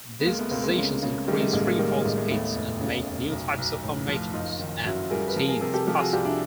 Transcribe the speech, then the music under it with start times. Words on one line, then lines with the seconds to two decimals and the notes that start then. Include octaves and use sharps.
These positions increase freefall speeds and make new types of formations and routines possible.
0.20 B3
0.26 C#2 G#3 A#3
0.39 A3 B3
0.51 C#2 A#3 C4
0.64 G#3 A#3
0.78 C#3
1.03 C#3
1.27 D#3 G3 A3
1.35 G#3
1.41 G3 A3
1.53 A1 G#3 A#3
1.66 G#3 A#3
1.79 D#3 G3 A3
1.91 G#3
2.04 A1 G3 A3
2.17 G#3 A#3
2.30 D#2 A3 B3
2.56 F1
2.81 C#3
3.07 F1
3.31 B1
3.58 B1
3.83 A2
4.08 F3
4.33 F#1 D#4 F4
4.59 D#3
4.85 F#2 E4 F#4
5.10 G3 G#4 A#4
5.27 B4
5.36 F3 G#4 A#4
5.48 G#4 A#4
5.61 C3 G#4 A#4
5.74 G4 A4
5.87 F3 G4 A4
6.00 F#4 G#4
6.13 C2 F4 G4
6.25 D4 E4